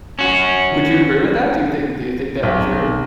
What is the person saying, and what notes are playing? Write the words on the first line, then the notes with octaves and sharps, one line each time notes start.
Would you agree with that? Do you think do you think that's true?
C#4 F#4
B1